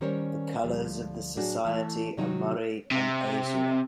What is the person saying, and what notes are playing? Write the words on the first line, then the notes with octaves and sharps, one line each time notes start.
The colors of the society are murrey and azure.
D#3 G3 C#4 A#4 C5 C#5
D2 F3 G3
A2 F#3 D4 F#4 G#4
E3 A3
C3 D#3 F#3 D#4 F4 F#4
C3